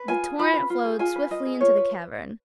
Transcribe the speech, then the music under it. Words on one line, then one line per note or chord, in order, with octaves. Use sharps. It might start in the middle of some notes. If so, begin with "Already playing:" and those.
The torrent flowed swiftly into the cavern.
Already playing: B4
F4 G#5
G#4
F4 B5
B4
F4
G#4
F4 G#5
B4
F4 D#5
G#4
F4 C#5
B4